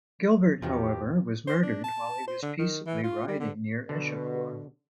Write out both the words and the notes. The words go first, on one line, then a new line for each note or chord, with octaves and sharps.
Gilbert however was murdered while he was peaceably riding near Eschafour.
E2 B2 D#3 F3 G4
C5
D4
A5
C5
D3
D#3
E3
F4
G3
D3
B2 D3